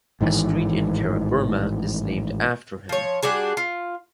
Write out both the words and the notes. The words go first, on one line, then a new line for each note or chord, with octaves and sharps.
A street in Karaburma is named after him.
A1 G#2 D#3 E3
F3 C#5
G3 D4 F#4 G#4
F4